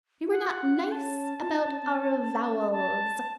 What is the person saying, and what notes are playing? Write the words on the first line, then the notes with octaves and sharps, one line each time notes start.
We were not nice about our vowels.
D#4
F4 F#5
C#4 A5
F4
D#4
C#4
C4
C#4
A5